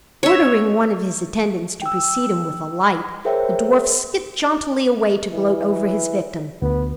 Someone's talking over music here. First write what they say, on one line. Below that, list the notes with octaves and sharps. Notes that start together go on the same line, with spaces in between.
Ordering one of his attendants to precede him with a light, the dwarf skipped jauntily away, to gloat over his victim.
C#5 E5
G5 E6
G#4 A#4 C5 C#5 E5 G5
E3
D2 B3